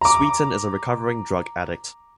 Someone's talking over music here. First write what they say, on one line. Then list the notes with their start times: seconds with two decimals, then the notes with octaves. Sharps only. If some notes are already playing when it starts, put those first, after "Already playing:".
Sweetin is a recovering drug addict.
0.01 A#5 D6